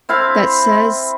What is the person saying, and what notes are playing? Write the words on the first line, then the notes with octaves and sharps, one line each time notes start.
that says
C4 E4 F5 C6